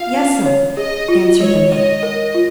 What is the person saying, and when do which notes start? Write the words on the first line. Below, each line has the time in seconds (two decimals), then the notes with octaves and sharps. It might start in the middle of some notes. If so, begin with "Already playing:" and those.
"Yes'm," answered the maid.
Already playing: F4 F5
0.14 C#4
0.46 C#5
0.77 G#4 D#5
1.08 F4
1.40 G#3 C#5
1.71 C#5 D#5
2.03 A#4
2.35 F4